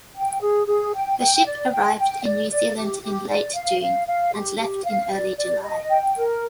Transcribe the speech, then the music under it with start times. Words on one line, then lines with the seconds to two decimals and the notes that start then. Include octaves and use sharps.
The ship arrived in New Zealand in late June and left in early July.
0.15 G5
0.41 G#4
0.67 G#4
0.94 G5
1.19 G5
1.46 D5
1.72 G5
1.98 G5
2.24 D5
2.50 D5
2.76 G4
3.02 G4
3.28 D5
3.54 F5
3.81 F5
4.07 F5
4.33 G4
4.59 G4
4.85 F5
5.11 D5
5.37 D5
5.63 D#5
5.90 G5
6.16 A#4